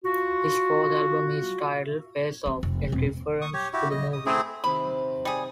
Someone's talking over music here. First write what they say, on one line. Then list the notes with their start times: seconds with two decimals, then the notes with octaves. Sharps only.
His fourth album is titled "Face Off" in reference to the movie.
0.04 F4 F#4
2.46 E2 C4
2.63 F1
2.92 E1 C4
3.41 C#6 D#6
3.54 G4 C#5
3.73 E4 F#4 G4
3.91 D#5
4.13 D#6
4.26 A3 C4 E4 G#4
4.64 C3 D#3 B5 C#6
5.25 G3 G#4